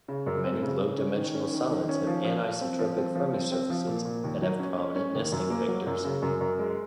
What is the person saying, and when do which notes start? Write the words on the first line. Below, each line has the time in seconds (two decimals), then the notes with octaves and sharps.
Many low-dimensional solids have anisotropic Fermi surfaces that have prominent nesting vectors.
0.08 C#3
0.26 F#2
0.44 C4
0.62 C#3
0.81 C#3
0.98 C#4
1.16 D#3
1.35 C#4
1.53 D#3
1.71 D#3
1.89 C#4
2.07 F3
2.25 F3
2.43 F3
2.61 C4
2.79 F3
2.97 C4
3.15 F3
3.34 C4
3.52 C4
3.70 F3
3.87 A#2
4.05 A#2
4.24 D#2
4.42 F#3
4.60 C#4
4.78 C#4
4.96 C#4
5.15 D#2
5.32 F#2
5.50 A#3
5.68 F#3
5.87 F#2
6.05 C#3
6.22 F#2
6.41 F#2
6.59 G#3